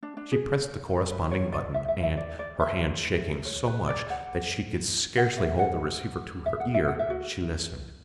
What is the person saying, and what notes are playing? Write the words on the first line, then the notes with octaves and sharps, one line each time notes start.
She pressed the corresponding button, and, her hand shaking so much that she could scarcely hold the receiver to her ear, she listened.
D4
D4
G#4
B4
C#5
D5
E5
E5
E5
D5
D5
E5
C#5
B4
D5
F#5
F#5
E5
F#5
E5
F#5
E5
F#5
E5
F#4